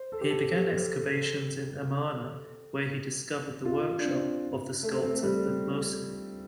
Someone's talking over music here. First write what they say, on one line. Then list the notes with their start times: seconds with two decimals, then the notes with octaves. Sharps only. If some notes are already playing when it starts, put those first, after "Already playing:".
He began excavations in Amarna, where he discovered the workshop of the sculptor Thutmose.
Already playing: C5
0.12 A4
0.21 G4
0.30 A4
0.52 G4
3.65 F4
4.00 D4
4.05 C4
4.83 A3
4.91 C4
4.98 A3
5.05 C4
5.13 A3
5.23 G3